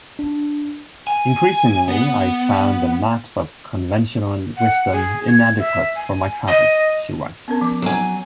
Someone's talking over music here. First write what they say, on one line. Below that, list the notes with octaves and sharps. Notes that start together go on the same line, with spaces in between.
"Increasingly I found the maps of conventional wisdom inadequate for my travels," she writes.
D4
G#5
B3
F#5
G#4
G#6
E5
G#5
D#5
B3 C#4 A#4
F3 D6
F#3 G#5